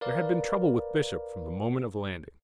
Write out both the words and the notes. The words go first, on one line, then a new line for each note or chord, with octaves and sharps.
There had been trouble with Bishop from the moment of landing.
A#4 B4 D5 F5